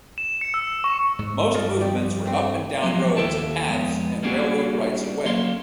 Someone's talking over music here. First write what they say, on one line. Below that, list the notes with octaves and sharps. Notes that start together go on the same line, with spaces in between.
Most movements were up and down roads and paths and railroad rights-of-way.
E7
C#7
E6
C#6
G#2
G2 G3 F4 A4 D#5
F2 G4 D5
A3 C4
F3 F#3 G#3 B3 C#4 F4
D#2 F#3 A4 E5 G5 A5
F2 G#3 B3
G3 A#3 C#4 D4 F#4 G#4
F#3 A#3 C#4 F5 C6